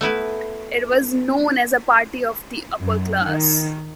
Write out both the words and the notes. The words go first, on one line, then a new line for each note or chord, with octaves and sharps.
It was known as a party of the upper class.
A3 B3 E4 B4
F#2
D#3